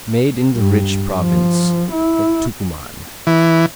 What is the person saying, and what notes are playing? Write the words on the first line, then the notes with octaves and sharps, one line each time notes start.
Made in the rich province of Tucuman.
G2
F3
E4
E3